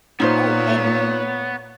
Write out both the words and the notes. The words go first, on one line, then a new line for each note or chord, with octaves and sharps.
Oh, and
A#2 A#3 B3 D#4 F4 C5 C#5